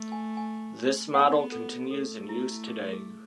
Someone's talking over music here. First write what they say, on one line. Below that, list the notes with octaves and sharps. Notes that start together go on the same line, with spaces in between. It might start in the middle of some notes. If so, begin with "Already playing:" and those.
This model continues in use today.
Already playing: A3
G#5
G#5
B3 F#5
A4
A3 A4
E4
G#4
G#4